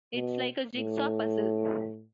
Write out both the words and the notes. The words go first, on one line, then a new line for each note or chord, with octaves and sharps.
It's like a jigsaw puzzle.
B2
A2